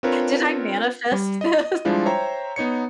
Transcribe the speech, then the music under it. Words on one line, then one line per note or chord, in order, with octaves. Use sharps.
"Did I manifest this?"
C4 D4 F4 A#4 B4 C#5
G3
D#5
F3 G3 G#3 D4 E4 F4
C5 C#5 E5 G5 A#5
B3 D#4 C#5 C#7